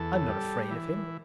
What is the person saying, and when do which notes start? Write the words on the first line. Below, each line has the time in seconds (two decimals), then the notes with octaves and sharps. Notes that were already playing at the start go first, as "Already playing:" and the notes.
"I am not afraid of him."
Already playing: E2 A4
0.28 G3
0.71 E3